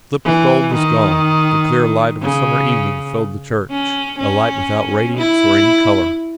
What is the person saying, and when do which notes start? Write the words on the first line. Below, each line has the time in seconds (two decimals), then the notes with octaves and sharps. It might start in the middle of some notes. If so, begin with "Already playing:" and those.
The slip of gold was gone, the clear light of a summer evening filled the church, a light without radiance or any colour.
0.25 E3
0.74 D#3
2.22 C#3
3.70 C#4
4.19 C#4
5.17 E4